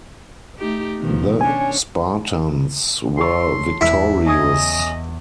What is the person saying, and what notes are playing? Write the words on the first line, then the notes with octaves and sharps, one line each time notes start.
The Spartans were victorious.
A3 D#4 G4
B2 D#3 F3
C#4 D4 C#5 G#5
A4 C#5 C6
E2 E4
C#4 G#4 D#5